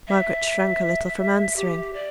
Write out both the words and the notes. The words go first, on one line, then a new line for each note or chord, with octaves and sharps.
Margaret shrank a little from answering.
E5
G4
D5